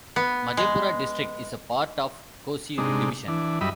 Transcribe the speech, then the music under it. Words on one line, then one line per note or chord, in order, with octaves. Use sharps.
Madhepura district is a part of Kosi division.
B3
G#3
C3 G#3 D4 D#4
E3 D4
F#2 G3 D#5 E5 B5